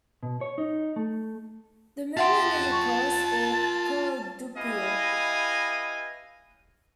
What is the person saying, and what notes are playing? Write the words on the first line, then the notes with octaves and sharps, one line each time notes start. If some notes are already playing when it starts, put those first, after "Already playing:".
The movement is a chorus, or "coro doppio".
B2
C#5
D#4
A3
F4 E5 F#5 G5 A5 C6
C#6
E4 G4 B4 D#5 F5 G#5